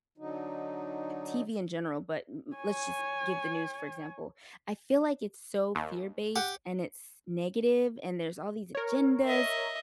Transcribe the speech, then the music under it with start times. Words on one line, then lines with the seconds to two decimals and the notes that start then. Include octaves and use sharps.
TV in general, but m m let's, just, give the news, for example. I feel, like, it's so fear-based, and it's negative, and there's all these agendas,
0.18 D3 F#3 D#4
2.56 C#5 G#5
5.75 D#2
6.36 G4 F#5
8.75 A#4 C#5
9.24 D#5 E5